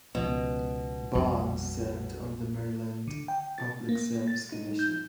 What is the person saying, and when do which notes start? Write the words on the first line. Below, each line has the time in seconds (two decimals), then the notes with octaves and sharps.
Barnes served on the Maryland Public Service Commission.
0.15 C#2 B2 F3 B3
1.15 A#1 F2 G3
3.07 D3
3.28 G5
3.58 A6
3.89 A#3
4.28 A6
4.52 D#4
4.79 G6